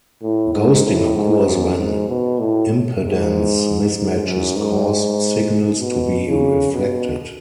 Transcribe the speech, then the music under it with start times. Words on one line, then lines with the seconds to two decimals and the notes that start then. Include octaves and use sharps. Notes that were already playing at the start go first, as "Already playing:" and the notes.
Ghosting occurs when impedance mismatches cause signals to be reflected.
0.23 A2
0.54 G#2
0.85 A2
1.15 G#2
1.47 F#2
1.78 G#2
2.08 B2
2.39 A2
3.02 G#2
3.94 G#2
4.25 F#2
4.56 G#2
5.80 B2
6.27 C#3
6.72 B2